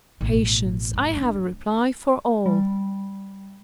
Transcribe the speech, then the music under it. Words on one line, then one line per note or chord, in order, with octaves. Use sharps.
"Patience, I have a reply for all."
A1 B2
F#2 A2
D3
G3